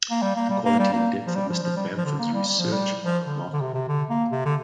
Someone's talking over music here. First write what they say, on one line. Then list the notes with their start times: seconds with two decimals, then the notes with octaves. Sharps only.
The quality and depth of Mr. Bamford's research are remarkable.
0.11 A#3
0.22 G3
0.36 A#3
0.50 G3
0.65 A#3
0.79 G3
0.93 A#3
1.27 F3
1.35 G3
1.49 F3
1.63 F3
1.77 G3
1.98 F3
2.05 D3
2.19 A#3
2.34 G3
2.47 G3
2.59 F3
2.72 G3
3.04 F3
3.26 D3
3.53 D3
3.61 C3
3.74 C3
3.88 D3
4.09 A#3
4.32 C3
4.45 D3